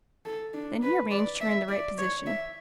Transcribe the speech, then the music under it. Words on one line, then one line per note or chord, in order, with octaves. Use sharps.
Then he arranged her in the right position.
A4
D4
B4
D5
E5
D5
C#5
E5